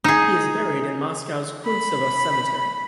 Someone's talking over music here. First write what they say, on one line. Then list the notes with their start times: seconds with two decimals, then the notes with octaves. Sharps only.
He is buried in Moscow's Kuntsevo Cemetery.
0.04 D#4 G#4
1.65 B5